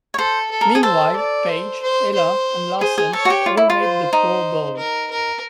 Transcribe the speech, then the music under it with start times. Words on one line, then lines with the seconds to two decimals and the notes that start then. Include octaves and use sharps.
Meanwhile, Page, Eller and Larsen all made the Pro Bowl.
0.14 C#5
0.18 A4 C5
0.51 A4
0.61 A#4
0.75 G#4
0.83 A4 C5
1.16 D5
1.49 C5
1.82 C5
2.15 C5
2.80 G#4 C5
2.98 G#4
3.13 A4 C#5
3.25 F#4
3.30 G4
3.46 F4
3.57 E4
3.70 F4
3.79 C5
4.13 D#4
4.77 A#4
5.11 A#4